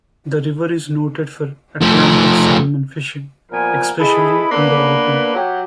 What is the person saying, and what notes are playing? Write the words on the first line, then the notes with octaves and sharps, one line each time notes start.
The river is noted for Atlantic Salmon fishing, especially in the autumn.
F3 A3
A#2 F3 G3 B3 A#4 G#5
E4 G#4 A4 B4 D#5 E5
A#3 B3 D4 A4 B4
F#3 G4